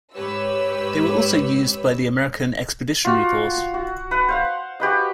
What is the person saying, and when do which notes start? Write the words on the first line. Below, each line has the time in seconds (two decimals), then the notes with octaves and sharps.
They were also used by the American Expeditionary Force.
0.14 G#2 G4 B4 C#5 E6
3.05 F4 F#4
3.74 F#4
4.11 B4 F#5
4.28 C5 F5 F#5
4.80 F#4 G4 B4 D#5